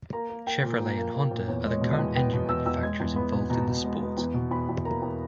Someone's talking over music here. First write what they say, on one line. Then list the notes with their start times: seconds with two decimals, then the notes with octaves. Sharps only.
Chevrolet and Honda are the current engine manufacturers involved in the sport.
0.13 A#3 A#5
0.30 A#3
0.47 A#3 G5
0.63 A#2
0.80 A#2
0.97 A#3
1.14 A#3
1.31 A#2
1.48 E2 C#5
1.65 G#3 C#5
1.81 B2
1.92 D#5
1.99 E2
2.16 B3 G5
2.33 B2
2.49 E2 E6
2.66 E2 E6
2.83 G#3 G#6
3.00 E2
3.16 B3 B5
3.34 B2
3.50 B2 A#5
3.67 B2
3.84 G#3
4.01 B3
4.17 E2
4.34 B2
4.51 E2 B5
4.69 E2
4.85 A#3 A#5
5.02 E2